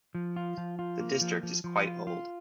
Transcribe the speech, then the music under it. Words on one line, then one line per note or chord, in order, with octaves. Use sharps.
The district is quite old.
F3
F4
F3
F4
A#3
F3
F3
F3
F4
F4